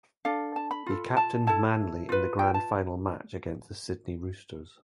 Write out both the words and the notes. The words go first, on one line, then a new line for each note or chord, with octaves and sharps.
He captained Manly in the Grand Final match against the Sydney Roosters.
D4 A4 F5
A5
B5
F4 A4
A5
E4 A4 A5
F4 B4
G5
A5